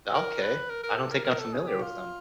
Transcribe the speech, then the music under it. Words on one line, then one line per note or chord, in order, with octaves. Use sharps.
Okay. I don't think I'm familiar with them.
A#4
B4
A#4
A#4
A4
A#4
A#4
A4
G#4
G4
F4